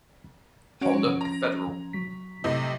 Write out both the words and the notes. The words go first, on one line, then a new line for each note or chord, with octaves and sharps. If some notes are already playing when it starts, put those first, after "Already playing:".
Honda Federal.
F3 C#4 F#4 C#5 D7
A#5 A#6
F#3 B6
A2 C3 D#5